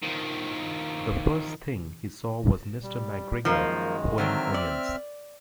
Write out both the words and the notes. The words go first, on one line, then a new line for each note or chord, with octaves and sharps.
The first thing he saw was Mr McGregor hoeing onions.
D#3 F3
G3
F#2 D#3 F3 G#3 A#3
D3 D#3 F#3 C4 E5 F6
D5